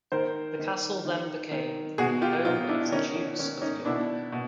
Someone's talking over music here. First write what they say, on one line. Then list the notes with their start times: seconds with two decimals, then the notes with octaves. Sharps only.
The castle then became the home of the Dukes of York.
0.12 D#3 A#4 C5
0.59 D#3
1.05 D#3
1.51 D#3
1.98 B2 F#4 G#4
2.22 F4 G4
2.45 B2 D#4 F4
2.68 D4 E4
2.92 D#3 C#4 D#4
3.16 C#4
3.39 D#3 C#4
3.62 C#4 D#4
3.85 B2 D4 E4
4.32 B2